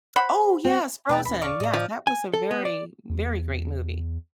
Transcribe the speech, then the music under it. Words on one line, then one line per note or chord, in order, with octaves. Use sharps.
Oh, yes, Frozen, yes, that was a very very great movie.
C5 F#5 B5
C4
E2 B2 A3 C4 B4 G5 A5
D#1 E3 C#4 B5
D5 F5 C#6 D6
A2 D#5 A#5
F3
G#5
A4
B3
D5
E2